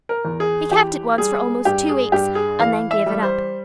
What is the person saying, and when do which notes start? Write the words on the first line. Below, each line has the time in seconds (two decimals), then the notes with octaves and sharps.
He kept it once for almost two weeks, and then gave it up.
0.09 A#4
0.25 E2
0.40 G#4
0.71 E3 G4
1.18 G3 G#4
1.65 G2 G4
1.89 G#4
2.12 G2 G4
2.35 G#4
2.59 E3 F5
2.91 E5
3.06 G3
3.22 C5